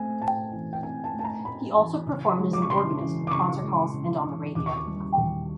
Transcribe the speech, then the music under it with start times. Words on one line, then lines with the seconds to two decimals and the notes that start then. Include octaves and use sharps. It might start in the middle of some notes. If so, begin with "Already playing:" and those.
He also performed as an organist in concert halls and on the radio.
Already playing: A3 C4 G#5
0.20 A2 A5
0.52 E3
0.73 G5
0.83 C4 G#5
1.04 A5
1.14 A3
1.19 A5
1.24 A#5
1.45 A2 B5
1.77 E3
2.07 C#3
2.39 G#3
2.53 D6
2.62 C#6
2.70 C#3 C6
3.01 E3
3.27 D6
3.31 C#3 C#6
3.63 G#3
3.93 C#3
4.25 E3
4.55 D#2 D6
4.66 C#6
4.76 D6
4.87 G3
5.17 D#2